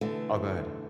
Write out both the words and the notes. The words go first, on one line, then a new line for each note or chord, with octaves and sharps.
Oh, go ahead.
B2 D3 E3 A3